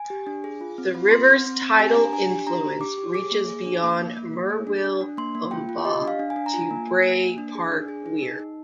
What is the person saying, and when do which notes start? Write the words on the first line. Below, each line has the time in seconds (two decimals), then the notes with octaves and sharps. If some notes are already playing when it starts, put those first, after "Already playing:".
The river's tidal influence reaches beyond Murwillumbah to Bray Park Weir.
Already playing: G#5
0.10 G4
0.27 D4
0.44 G#4
0.61 F4
0.78 C4
0.94 F4
1.11 C4 C6
1.29 C4
1.46 C4
1.62 C4
1.79 G4 G#5
1.96 D4 A#5
2.13 D4 G#5
2.30 G4
2.47 D4 A#5
2.64 G4
2.81 G4 D6
2.98 G4
3.14 G#4 D6
3.32 A#3
3.48 G#4
3.65 D4
3.83 A#3
3.99 A#3
4.17 A#3
4.33 A#3
4.50 G#4
4.67 D4
4.84 D4
5.01 D4
5.17 A#3 C6
5.35 A#3
5.51 F4 G5
5.69 F4
5.85 G4 D#5
6.02 D4
6.08 F5
6.19 D4
6.30 G#5
6.36 D4
6.46 A#5
6.53 F4 G#5
6.71 A#3
6.87 A#3
7.05 A#3
7.21 A#3
7.38 D4
7.55 G#4
7.72 D4
7.88 G#4
8.06 G#4
8.22 D#4
8.39 D#4